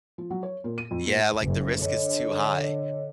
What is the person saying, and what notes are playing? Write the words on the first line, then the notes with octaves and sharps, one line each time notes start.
yeah, like, the risk is too high.
F3
F#3
C#5
A#2
D#7
F2
A#2
F#1
D3 C#5 D#5